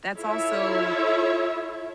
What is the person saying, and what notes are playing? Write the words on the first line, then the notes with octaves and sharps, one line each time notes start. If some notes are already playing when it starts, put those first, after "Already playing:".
that's also,
E4 F4 A4 C#5 E5